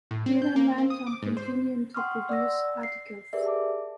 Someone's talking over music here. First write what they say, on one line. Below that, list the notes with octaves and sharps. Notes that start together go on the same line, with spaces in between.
He then went on continuing to produce articles.
A2
C4
G6
A#3
C4
D#6
D6
G#2
C5
F#5 G5 C6 C#6 D#6 F6
D5 F#5 E6 A#6
C7
G4 G#4 A#4 B4 D5 E5
A5 D6